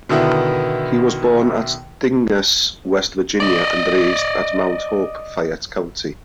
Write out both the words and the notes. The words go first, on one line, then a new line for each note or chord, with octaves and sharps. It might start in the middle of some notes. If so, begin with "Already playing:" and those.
He was born at Dingess, West Virginia and raised at Mount Hope, Fayette County.
B2 D3 D#3 B3 E4
D5 D#5